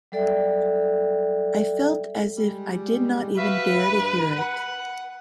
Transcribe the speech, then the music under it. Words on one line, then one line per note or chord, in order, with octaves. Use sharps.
I felt as if I did not even dare to hear it.
F#3 G3 A4 D5 E5 G5
G3 G#3
F#4 B4 E5 F5
G2
F#5